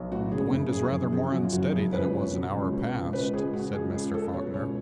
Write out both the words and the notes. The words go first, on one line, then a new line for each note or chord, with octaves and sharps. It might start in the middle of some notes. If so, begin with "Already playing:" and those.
"The wind is rather more unsteady than it was an hour past," said Mr. Faulkner.
Already playing: B1
A2 F#4
C#3 G#4
F#1
F#1 G#4
F#2
F#2 G#4
F#2 F#4
F4
F#1 F#4
F#1 G#4
C#2 B4
B2 C#5
F#3
C#2
B2
C#2
C#2 B4
C#2 G#4
C#2 F#4
C#2 G#4
C#2 G#4
C#2 A4
B2 C#5
C#2 C#5